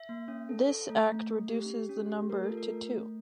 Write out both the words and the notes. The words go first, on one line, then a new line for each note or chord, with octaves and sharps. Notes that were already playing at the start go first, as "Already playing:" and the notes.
This Act reduces the number to two.
Already playing: E5
A#3
C#4
A4
A4
A3
A3
A3
G4
G4
C#4
G4
A3 A#4
A4
F4
A#4
A3
A3